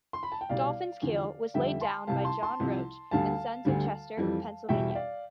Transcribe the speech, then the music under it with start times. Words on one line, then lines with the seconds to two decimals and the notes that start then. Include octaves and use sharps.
"Dolphin"s keel was laid down by John Roach and Sons of Chester, Pennsylvania.
0.13 C6
0.23 B5
0.32 A5
0.41 G5
0.49 C2 B2 G3 D5 F5
1.02 E2 D3 F3
1.54 F2 D3 G3 E5 G5
1.81 A5 C6
2.07 C2 C3 G3 F5 A5
2.25 A5 C6
2.43 A5 C6
2.60 C2 C3 F3
3.11 D2 D3 G3 F5 A5
3.65 D2 D3 G3
4.17 F2 E3 G3
4.69 E2 B2 G3 E5 G5
4.90 G5
4.95 D5 F5